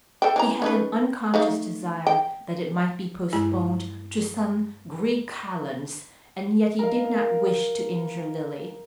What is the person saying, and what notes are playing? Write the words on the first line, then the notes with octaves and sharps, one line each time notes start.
He had an unconscious desire that it might be postponed to some Greek kalends, and yet he did not wish to injure Lily.
A4 C5 G5
E3 C#4 A#5
C#4 D#4 B4
A3 D#4 F5
G5
G2 G#3 E4 G#5
A#4 F5